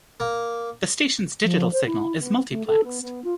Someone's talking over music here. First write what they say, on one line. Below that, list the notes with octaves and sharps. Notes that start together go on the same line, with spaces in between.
The station's digital signal is multiplexed.
A#3
F3
C5
E4
B3
A3
A4
B3
B3
F4